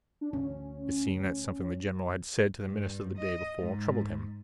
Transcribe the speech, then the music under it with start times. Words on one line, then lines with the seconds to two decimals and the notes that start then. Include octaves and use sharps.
It seemed that something the general had said to the minister the day before troubled him.
0.21 D4
0.33 D2 C#4
2.65 G2
3.17 D#5
3.59 G#2